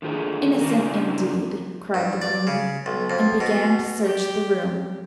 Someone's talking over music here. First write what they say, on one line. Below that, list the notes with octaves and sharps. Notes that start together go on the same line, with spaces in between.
"Innocent, indeed!" cried the queen, and began to search the room.
D3 D#3 F4 G#4 B4
C#3 G#3 B3 C#4 D4 A#4
G2
D5
C#3
B1
F2
B2
G4